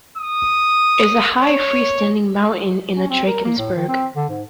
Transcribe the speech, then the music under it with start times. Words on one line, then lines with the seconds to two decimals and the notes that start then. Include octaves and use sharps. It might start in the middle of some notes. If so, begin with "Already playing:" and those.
It is a high free standing mountain in the Drakensberg.
0.17 D#6
1.42 C#5
2.96 C#4
3.10 C4
3.27 A#4
3.45 A#3
3.58 A2
3.76 D#3
3.88 C4
4.16 D3
4.29 G#2